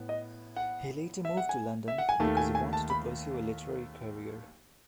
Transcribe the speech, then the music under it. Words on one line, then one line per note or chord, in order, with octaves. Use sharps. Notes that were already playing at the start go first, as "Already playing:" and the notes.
He later moved to London because he wanted to pursue a literary career.
Already playing: A2 B3
D#5
F#5
E5
F#5
G#5
E5
F#5
G#5
D#2 D#3 A3 A5
G#5
G#5
A5
B5